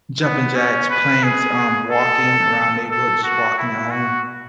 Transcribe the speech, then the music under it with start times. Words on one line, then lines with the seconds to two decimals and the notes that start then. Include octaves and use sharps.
jumping jacks, planks, um, walking around neighborhood, just walking at home,
0.23 B3
0.56 C#4
0.90 B4
1.24 G#4
1.91 A4
2.90 A4
3.24 F#4
3.58 E4
3.91 F#4